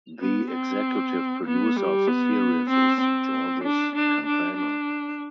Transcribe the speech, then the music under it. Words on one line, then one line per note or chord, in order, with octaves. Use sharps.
The executive producer of the series is Georges Campana.
B3
C4
B3
G3
B3
C4
C4
D4
D4
D4
D4